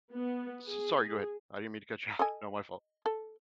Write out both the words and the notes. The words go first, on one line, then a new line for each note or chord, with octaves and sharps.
s sorry, go ahead. I didn't mean to cut you off. No, my fault.
B3
G#4
A4 D#5 G#5
A4